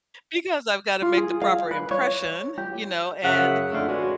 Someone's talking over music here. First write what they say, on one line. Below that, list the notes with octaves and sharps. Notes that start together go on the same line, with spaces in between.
because I've gotta make the proper impression, you know, and
F4
G#4
F5
B4
C#5
G4
F#2 C#3 E5 F#5
F2 A2 D3 A3 F5
G#3 C#4 D4 F#4 B4